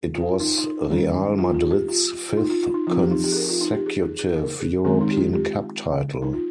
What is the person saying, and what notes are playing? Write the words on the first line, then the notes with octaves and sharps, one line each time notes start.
It was Real Madrid's fifth consecutive European Cup title.
F4
D#4
D#4
D#3 G3 C#4
F4
F4
G4
F4
F4
D#4
F4
F4
D#4
F3 C4 F4
G4
D#4
G4
G#4
A#4
F4
D#4
G4
G#4
G#4
G#4
A#4
G#4
D#3 G#3 C4 G#4
D#4
G4
F4
G4
D#4
F4